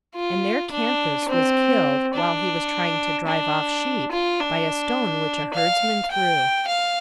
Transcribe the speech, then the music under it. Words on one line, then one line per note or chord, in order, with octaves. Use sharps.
And there Canthus was killed while he was trying to drive off sheep, by a stone which a herdsman threw.
F4
D4
C4
D4
D4
F4
D4
F5
G5
F5